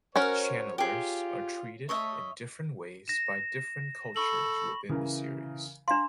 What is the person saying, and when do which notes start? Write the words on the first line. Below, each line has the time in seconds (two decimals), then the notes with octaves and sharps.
Channelers are treated in different ways by different cultures within the series.
0.16 C#4 F#4 A#4 C5 C#5
0.78 F4 G4 G#4
1.89 A3 C#5 D#5 E5
3.08 A#6 E7
4.16 A4 B5 C#6 F#7
4.89 C#3 E3 A#4
5.88 D4 F5 A#5 C6 E7